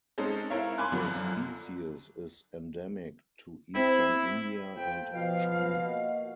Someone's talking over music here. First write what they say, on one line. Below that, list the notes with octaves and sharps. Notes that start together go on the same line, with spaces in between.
The species is endemic to eastern India and China.
G#3 C4 C#4 D#4 A4
C4 E4 A#4 C#5 F5
G#5 B5 C6 D6 F#6
F#2 D3 F3
C4 E4
F2 F3 G5
B2 F3 F5
A#3 F#4 D#5